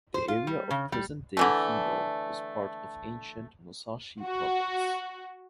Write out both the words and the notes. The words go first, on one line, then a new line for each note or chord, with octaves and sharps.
The area of present-day Hino was part of ancient Musashi Province.
C5
F4
G3
C#3
G3
D3 E3 A3
F#4